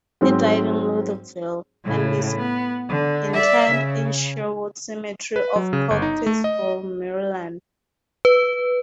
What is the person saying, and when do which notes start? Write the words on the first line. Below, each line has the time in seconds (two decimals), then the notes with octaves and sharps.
He died in Lutherville, and is interred in Sherwood Cemetery of Cockeysville, Maryland.
0.21 G#2 F#3 G#3 C4
1.85 A2 C#3
2.37 B3
2.89 D3
3.34 D5 E5
3.71 C#3
5.36 B4
5.56 F#3
5.73 C#3
5.90 G1
6.02 D#4
6.26 A3
6.44 D#5
8.25 B4